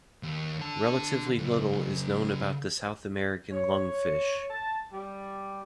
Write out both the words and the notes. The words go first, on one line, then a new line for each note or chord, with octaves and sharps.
Relatively little is known about the South American lungfish.
D#2
D3 A5
C#3 F#3
C#5
A5
G3